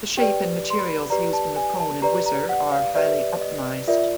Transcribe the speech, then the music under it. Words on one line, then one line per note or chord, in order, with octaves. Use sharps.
The shape and materials used in the cone and whizzer are highly optimized.
G4 B4 D5 G5
C6
B5
G4 B4 D5 A#5
A5
G#5
A5
G4 B4 D5 A#5
A#5
F#5
F5
G4 B4 D5 E5
D#5
F4 A#4 D5 E5